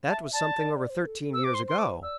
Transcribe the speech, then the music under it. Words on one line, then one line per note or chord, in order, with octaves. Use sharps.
That was something over thirteen years ago.
E5 A5
D5 A5
D5
D5
C5
A4
A4
C5 E6
D6
C6
C6
D6
D5 E6